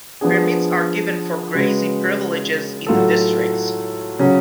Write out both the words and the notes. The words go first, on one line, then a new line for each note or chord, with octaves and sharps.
Permits are given for grazing privileges in the districts.
F3 B3 D4 G#4
C#3 G#3 C#4 F#4 B4
A2 F#3 A3 F4 A4
C#3 F#3 C#4